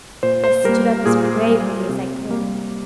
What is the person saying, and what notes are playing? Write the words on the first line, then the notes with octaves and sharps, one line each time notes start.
I stood up as bravely as I could.
A#2 C5
C5
G3 A#3 A#4
A#2 G#4
G3 A#3
C3
G3 A#3